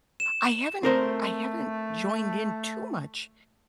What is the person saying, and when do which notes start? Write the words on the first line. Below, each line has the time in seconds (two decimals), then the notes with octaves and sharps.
I haven't I haven't joined in too much
0.20 E7
0.83 A3 C4 A#4 C5